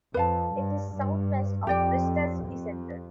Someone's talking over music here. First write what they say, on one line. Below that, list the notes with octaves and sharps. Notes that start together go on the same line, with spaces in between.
It is southwest of Bristol city centre.
F2 B4 F5 A5
G2
G2
F2 G4 D5 G5
F2